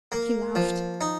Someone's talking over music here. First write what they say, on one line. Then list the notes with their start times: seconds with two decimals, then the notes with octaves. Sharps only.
He laughed.
0.12 A#3
0.55 F3
1.01 D#4